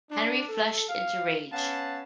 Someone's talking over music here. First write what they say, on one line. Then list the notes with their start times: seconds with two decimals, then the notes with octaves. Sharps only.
Henry flushed into rage.
0.10 D4
0.49 A4
0.89 F5
1.53 B3 C#4 F5 F#5 A5